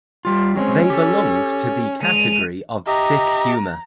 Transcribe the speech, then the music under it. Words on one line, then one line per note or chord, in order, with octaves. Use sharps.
They belong to the category of sick humor.
G3 F4
F#3 G#3 C4 C#4
G4 A4
G#3 D#7 F7
G4 D#5 E5 A#5